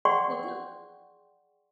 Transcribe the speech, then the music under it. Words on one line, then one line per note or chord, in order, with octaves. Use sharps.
What was that?
G#4 D5 F#5 G5 C6 C#6